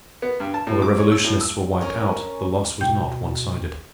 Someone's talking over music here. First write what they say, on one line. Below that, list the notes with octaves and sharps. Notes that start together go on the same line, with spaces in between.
While the revolutionists were wiped out, the loss was not one-sided.
B3
G2
A5
A2
D6
C#5
E6
A2
E6
C#4 A#4
B2 G5 G6